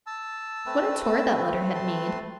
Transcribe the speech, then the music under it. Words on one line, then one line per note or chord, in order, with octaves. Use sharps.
What a tour that letter had made!
A5 E6
A3 C4 B4
A5 C6